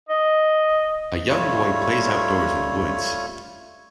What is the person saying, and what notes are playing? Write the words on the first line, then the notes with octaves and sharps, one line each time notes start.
A young boy plays outdoors in the woods.
D#5
G3 A3 F4 C#5